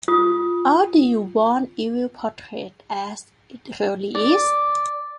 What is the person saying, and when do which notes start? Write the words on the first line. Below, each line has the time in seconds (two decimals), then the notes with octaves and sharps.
Or do you want evil portrayed as it really is?
0.08 F4 D#6
4.15 D5